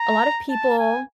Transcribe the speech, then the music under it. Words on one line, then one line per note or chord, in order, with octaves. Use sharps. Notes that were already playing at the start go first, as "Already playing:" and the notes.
a lot of people,
Already playing: A#5
A5
G#5